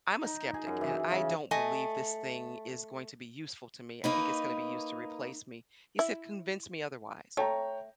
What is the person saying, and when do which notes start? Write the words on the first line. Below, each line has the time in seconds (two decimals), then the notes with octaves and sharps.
"I'm a skeptic, and I don't believe this thing is going to be useful to me, I think it's gonna be used to replace me." He said, "Convince me otherwise,"
0.24 D#4
0.54 G#4
0.67 F#2
0.81 E3
1.11 C#3
1.51 A3 D#5 G#5
4.04 A#3 D#4 B4
5.99 E4
7.37 A3 C#5 G5 A#5